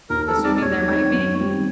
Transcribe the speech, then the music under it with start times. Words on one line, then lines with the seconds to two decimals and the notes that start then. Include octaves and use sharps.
assuming there might be,
0.10 D#2 A#4
0.27 A4
0.36 D#3 G#3 C4 D#4
0.44 D5
0.55 D5
0.62 D#2 C#5
0.87 D#3 G#3 C4 D#4
1.14 F#2
1.40 D#3 G3 C4